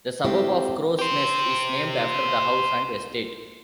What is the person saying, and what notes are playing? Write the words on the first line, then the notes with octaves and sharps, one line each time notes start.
The suburb of Crows Nest is named after the house and estate.
G#3 A3 C4 E4 G4
G4 C5